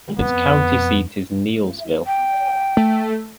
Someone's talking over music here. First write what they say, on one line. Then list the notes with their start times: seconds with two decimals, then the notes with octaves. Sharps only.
Its county seat is Neillsville.
0.19 F2 B3
2.06 G5
2.77 A3